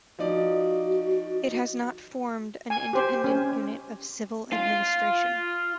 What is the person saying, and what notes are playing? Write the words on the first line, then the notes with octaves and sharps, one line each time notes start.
It has not formed an independent unit of civil administration.
F3 D#4 F#4 D5
G#5
G4 C5
C#4
F4